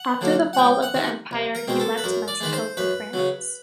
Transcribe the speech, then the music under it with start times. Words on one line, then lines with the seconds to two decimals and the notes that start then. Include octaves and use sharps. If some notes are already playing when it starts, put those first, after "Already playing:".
After the fall of the Empire he left Mexico for France.
Already playing: F#5
0.21 D3 F#3 A#3
0.53 F#5
0.57 C#2 G5
0.82 F#5
0.94 C3 D#3
1.31 C2
1.55 A#4
1.68 B2 G#3 C4
1.80 A4
1.98 B4
2.04 F#2 A#4
2.28 D5
2.40 D#3 G#3 B4
2.53 C5
2.77 F#2 B4
3.13 C#3 F#3